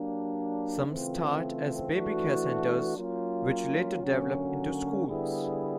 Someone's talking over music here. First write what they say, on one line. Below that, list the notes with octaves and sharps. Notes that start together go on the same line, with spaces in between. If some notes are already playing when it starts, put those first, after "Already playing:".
Some start as babycare centres, which later develop into schools.
Already playing: F#3 A#3 D4 G4
C#3 E3 A3 C4 F4
E3 A3 D4 F#4
F#3 A#3 C#4 F4
D3 F#3 A#3 C#4 F#4
D3 G3 B3 E4 G#4